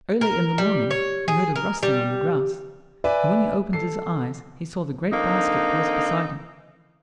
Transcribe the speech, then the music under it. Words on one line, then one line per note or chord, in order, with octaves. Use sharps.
Early in the morning he heard a rustling on the grass, and when he opened his eyes he saw the great basket close beside him.
A#4
G3
C#5
G#4
A#4
G3
B4 D5 E5 G#5
A4 C7
D3 A#3 C4 D#4